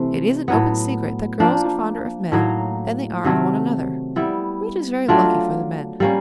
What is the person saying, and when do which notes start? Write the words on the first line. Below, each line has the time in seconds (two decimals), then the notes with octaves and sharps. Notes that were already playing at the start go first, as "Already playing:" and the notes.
It is an open secret that girls are fonder of men than they are of one another--which is very lucky for the men.
Already playing: C3 E3 A3 C4
0.48 A2 F#3 B3
1.40 F3 A#3 D4
2.32 A2 F#3 A#3 D#4
3.24 C3 D#3 F#3 A3
4.16 G3 B3 E4
5.08 F#3 A3 D4 F4
6.00 G3 A#3 C#4